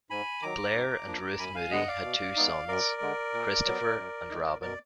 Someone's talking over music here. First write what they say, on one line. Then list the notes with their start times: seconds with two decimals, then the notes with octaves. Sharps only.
Blair and Ruth Moody had two sons, Christopher and Robin.
0.10 G#2 G#5 B5
0.42 D#3 F#3 A#5 D6
0.74 G#2
1.07 F3 A#3 D4
1.39 F#2 G#5 B5
1.55 F5 G#5
1.71 D3 G#3 B3 D#5 F#5
1.88 D5 F5
2.03 B2
2.36 G#3 B3 D#4
2.68 F#2 A#4 D5
3.01 D3 G#3
3.33 A#2
3.66 F#3 B3
3.97 F#2
4.30 D#3 G#3 D#4
4.62 B2 A#4 D5